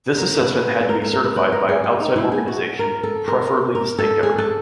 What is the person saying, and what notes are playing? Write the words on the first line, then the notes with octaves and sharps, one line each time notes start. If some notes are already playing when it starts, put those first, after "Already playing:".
This assessment had to be certified by an outside organization, preferably the state government.
A#4
B4
A4
A#4
A4
A#4
B4
B4
A#4
G#4
G4
D#4
E4
G#4
F#4
A#4
A4
A#4
A#4
A4
G#4
A4